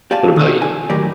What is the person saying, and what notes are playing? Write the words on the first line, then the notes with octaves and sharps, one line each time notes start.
What about you?
G4 D5 F5 G#5 A5
B2 D#3
G#5
F#2 A2 D#3 G4 A#4 D5